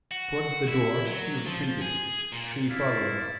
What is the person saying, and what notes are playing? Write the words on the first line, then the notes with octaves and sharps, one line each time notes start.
Towards the door he retreated, she following.
F#4
E4
F#3
F3
G#4
A#2
E4 D5 F5